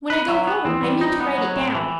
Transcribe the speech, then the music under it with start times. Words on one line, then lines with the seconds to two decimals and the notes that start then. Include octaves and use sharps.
When I go home I mean to write it down.
0.10 B4
0.28 F#3
0.47 B3
0.65 E3 C4
0.83 G3
1.01 D#4
1.20 B3
1.38 F#3
1.56 A2
1.75 E3